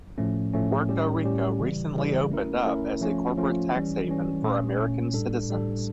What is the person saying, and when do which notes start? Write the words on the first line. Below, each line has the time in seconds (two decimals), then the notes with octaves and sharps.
Puerto Rico recently opened up as a corporate tax haven for American citizens.
0.18 A2 F3 A3 C#4
0.54 A2 F3 A3 C#4
0.89 A2 G3 C#4 G4
1.24 A2 G3 C#4 G4
1.60 C#3 E3 G3
1.95 C#3 E3 G3
2.30 A3 C#4 E4 A#4
2.65 A3 C#4 E4 A#4
3.01 F3 A3 C#4 F4
3.37 F3 A3 C#4 F4
3.72 E3 G3 C#4
4.08 E3 G3 C#4
4.42 A#2 A3 C#4
4.78 A#2 A3 C#4
5.13 A2 G3 D4 A4
5.48 A2 G3 D4 A4